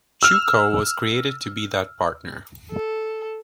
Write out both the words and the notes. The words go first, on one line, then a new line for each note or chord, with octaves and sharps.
Chewco was created to be that partner.
E6 F6
A4